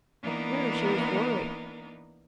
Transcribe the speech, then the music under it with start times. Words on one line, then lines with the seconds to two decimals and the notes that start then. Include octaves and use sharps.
"No--she was worried."
0.23 E3 A#3 B3 D4 D#4 A#4